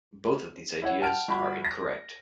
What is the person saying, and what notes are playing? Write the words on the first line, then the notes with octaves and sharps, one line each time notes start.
Both of these ideas are incorrect.
E4 C#5 F#5
F#5 G5 A5 F6 D7
G1 F#4 B5
A#6